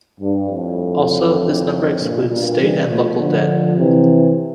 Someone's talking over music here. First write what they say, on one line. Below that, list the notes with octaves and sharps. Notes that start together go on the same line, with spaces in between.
Also, this number excludes state and local debt.
G2
F2 A2
G2 A#2
G2 A#2
E3 G3
F3 A3
D3 F3
C3 E3